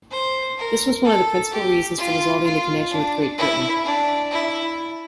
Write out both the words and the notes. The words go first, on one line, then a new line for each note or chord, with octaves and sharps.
This was one of the principal reasons for dissolving the connection with Great Britain.
C5
A#4
A4
G4
F4
F4
D4
E4
D4
E4